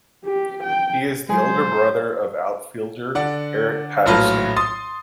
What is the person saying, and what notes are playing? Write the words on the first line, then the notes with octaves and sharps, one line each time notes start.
He is the older brother of outfielder Eric Patterson.
G4
G5
F#3 G#3 G#4 C5
D3 D5 F#5
A#1 A2 F#3 F4 B4 A5
C6 D#6 A6